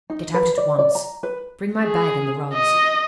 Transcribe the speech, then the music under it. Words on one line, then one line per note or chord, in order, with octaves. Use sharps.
Get out at once! Bring my bag and the rugs!
D#4
B4
D5
D5
A#5
B4
G#4
D#5